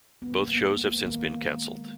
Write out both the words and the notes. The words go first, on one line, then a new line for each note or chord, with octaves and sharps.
Both shows have since been cancelled.
D#3 B3
A#3
B3
G#3
A#3
D#3 A#3
G#3